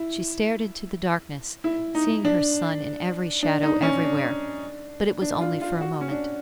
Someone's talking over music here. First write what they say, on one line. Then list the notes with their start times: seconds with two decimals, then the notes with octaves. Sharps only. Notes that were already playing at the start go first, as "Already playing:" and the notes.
She stared into the darkness, seeing her son in every shadow everywhere; but it was only for a moment.
Already playing: E4
1.64 E4
1.95 D#4
2.25 D4
3.43 D4
3.63 D#4
3.82 C#4
4.03 D4
5.22 D4
5.41 F4
5.61 F4
5.81 F#4
6.01 C#4
6.11 D4